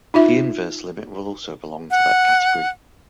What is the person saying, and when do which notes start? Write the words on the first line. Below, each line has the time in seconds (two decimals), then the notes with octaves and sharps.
The inverse limit will also belong to that category.
0.14 D#4 F4 E5
1.91 F#5